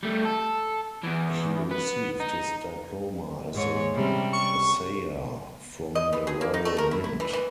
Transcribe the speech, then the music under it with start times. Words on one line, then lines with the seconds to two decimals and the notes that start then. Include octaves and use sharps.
He received his diploma as an assayer from the Royal Mint.
0.03 G3 A3
0.25 A4
1.04 E2 E3
1.71 B3
2.20 D#4
3.55 G#2 G#3 C#5
3.94 C3 G3 C#4
4.33 C#6
5.95 D#5
6.13 E3
6.27 G#4
6.41 A#3
6.54 D#4
6.65 A3
6.78 A#4
6.91 E4
7.04 E4
7.20 E3
7.33 E3